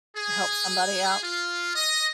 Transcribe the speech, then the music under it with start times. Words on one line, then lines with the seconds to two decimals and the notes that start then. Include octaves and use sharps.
Help somebody out.
0.17 G#4
1.24 F4
1.76 D#5